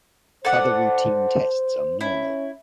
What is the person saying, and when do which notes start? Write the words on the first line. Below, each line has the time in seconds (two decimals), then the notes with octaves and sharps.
Other routine tests are normal.
0.45 A4 C5 D5 F#5
2.01 C#4 E4